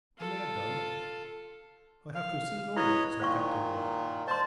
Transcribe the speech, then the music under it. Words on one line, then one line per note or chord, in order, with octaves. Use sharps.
When they had done, "I have considered all," said Captain Blood.
F4 A4
F5
E4 B4 C#5 D#5
A#2 D#3 C5 F5 C#6
C5 D5 A5 C6